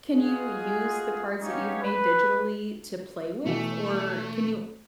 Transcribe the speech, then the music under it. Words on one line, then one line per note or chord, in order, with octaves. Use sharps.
Can you use the cards that you've made digitally to play with, or can you
D#4 F4 F#4 G#4
B3 C#4 D#4 G4 C#5 F5
B4
B2 E3 A3